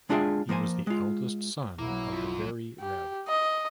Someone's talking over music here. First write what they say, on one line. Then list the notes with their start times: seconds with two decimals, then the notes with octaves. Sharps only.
He was the eldest son of the Very Rev.
0.09 G#3 D4 F4 G#4 E5 G5
0.49 F3 A#3 C5 G#5
0.87 G#3 F4
1.78 B1 F#3 A#3 E4
2.13 F2 F4
2.80 G4
3.28 D#5